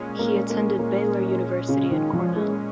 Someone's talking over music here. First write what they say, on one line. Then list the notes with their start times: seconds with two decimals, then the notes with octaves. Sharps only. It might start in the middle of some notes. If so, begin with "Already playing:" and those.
He attended Baylor University and Cornell.
Already playing: A#2 G#3 C#4
0.19 A#3
0.50 A#3
0.79 A#3
1.68 C#3
1.91 D#3
2.13 F3
2.36 G#3